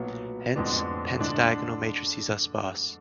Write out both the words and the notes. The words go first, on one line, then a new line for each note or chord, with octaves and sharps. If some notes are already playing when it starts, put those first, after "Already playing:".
Hence, pentadiagonal matrices are sparse.
Already playing: B1 A#2 F#3 B3
F2 D3 G#3 B3 D4
D3 G#3 D4